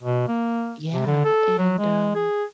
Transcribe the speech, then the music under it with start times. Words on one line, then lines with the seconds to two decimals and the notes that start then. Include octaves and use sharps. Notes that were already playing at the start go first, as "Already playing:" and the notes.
yeah, and, um,
0.03 B2
0.28 A#3
0.93 C3
1.06 D3
1.25 A4
1.58 F#3
1.78 G#3
2.15 G#4